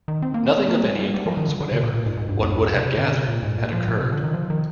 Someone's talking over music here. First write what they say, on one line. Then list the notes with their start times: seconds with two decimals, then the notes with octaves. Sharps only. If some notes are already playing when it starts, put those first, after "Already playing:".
Nothing of any importance whatever, one would have gathered, had occurred.
0.08 D#3
0.22 C4
0.34 A#3
0.46 C4
0.58 C4
0.69 A#3
0.84 G#3
0.99 G3
1.14 G3
1.26 F3
1.37 D#3
1.49 D3
1.61 D3
1.72 C3
1.83 A#2
1.94 A#2
2.06 G#2
2.17 G#2
2.29 G2
2.40 F2
2.52 G2
2.63 G#2
2.74 C3
2.86 C3
2.97 D3
3.12 C3
3.28 A#2
3.43 G#2
3.58 A#2
3.73 F3
3.88 A#2
4.01 C3
4.12 D3
4.24 D#3
4.34 F3
4.50 D#3